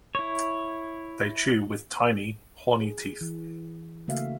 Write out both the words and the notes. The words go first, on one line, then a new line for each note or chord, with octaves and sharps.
They chew with tiny, hornyteeth.
E4 C#5
G#4
E3
C#3 A3 A#3 F#4 E5 F5